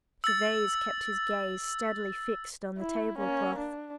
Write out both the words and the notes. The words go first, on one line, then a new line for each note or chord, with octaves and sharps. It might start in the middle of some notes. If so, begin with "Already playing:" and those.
Gervase kept his gaze steadily fixed on the table-cloth.
E6 A6
E4
A#3 C#4
D4